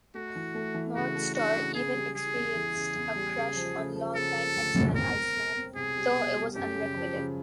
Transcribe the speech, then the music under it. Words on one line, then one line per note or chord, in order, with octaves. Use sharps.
Northstar even experienced a crush on long-time X-Man Iceman, though it was unrequited.
A3 F#4
E3
A3
E3
C#3 F#4
A3
D4 F#4
C#3
C#3 G#4
G3
C#3 G#4
E2
E3
C#3
E2
G3
C#3
F3
C#3
F3
C#3 A4
F3
D2
E1
C4 A#4
C4
C4
C4
C2 G#4
G3
B2
G3
F#2 G4
C#3
F3
C#3